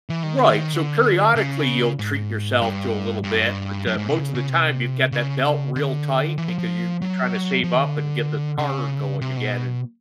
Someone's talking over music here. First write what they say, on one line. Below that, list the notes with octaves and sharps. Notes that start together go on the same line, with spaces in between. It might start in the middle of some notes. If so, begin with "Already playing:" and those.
Right, so, periodically, you'll treat yourself to a little bit, but, uh, most of the time you've got that belt real tight because you you're trying to save up and get the car going again and
E3
D#3
D3
D#3
D3
C#3
G#2
G2
G2
F#2
G2
F#2
G#2
C3
C#3
C#3
C3
C#3
D3
E3
F3
F3
F#3
F3
D#3
D3
C#3
C3
B2